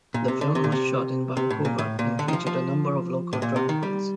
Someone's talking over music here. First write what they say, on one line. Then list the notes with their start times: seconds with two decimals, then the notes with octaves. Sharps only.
The film was shot in Vancouver and featured a number of local drag queens.
0.14 A#2
0.28 C3
0.41 D3
0.55 C3
0.64 A#2
0.72 C3
1.37 C3
1.50 A2
1.65 A#2
1.79 A2
1.99 A#2
2.19 D3
2.28 D#3
2.33 F3
2.47 F3
3.33 A2
3.42 A#2
3.56 C3
3.69 D#3
3.83 G3